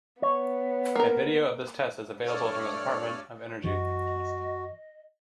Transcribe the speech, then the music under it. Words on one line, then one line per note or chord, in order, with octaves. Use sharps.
A video of this test is available from the Department of Energy.
B3 C#5
A#3 A#4
G2 A3 A4 C#5 D5 F6
F#2 E3 F#4 D#5